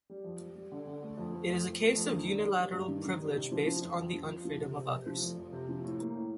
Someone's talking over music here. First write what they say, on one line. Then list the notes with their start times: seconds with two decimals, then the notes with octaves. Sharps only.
It is a case of unilateral privilege based on the unfreedom of others.
0.10 G3
0.24 F2
0.41 G3
0.56 G3
0.72 D3
0.87 D3
1.02 A3
1.18 F2
1.34 A3
1.49 F2
1.64 F2
1.80 A3
1.96 F2
2.12 D#3
2.27 D4
2.42 G3
2.58 G3
2.73 G2
2.88 D#3
3.05 D#3
3.20 G3
3.35 C3
3.52 F3
3.66 F3
3.82 F2
3.98 F2
4.13 F3
4.29 F2
4.45 F3
4.60 C3
4.76 C3
4.91 C3
5.07 F3
5.22 F1
5.37 F2
5.53 C3
5.69 F3
5.84 A2
6.00 A#3
6.16 A2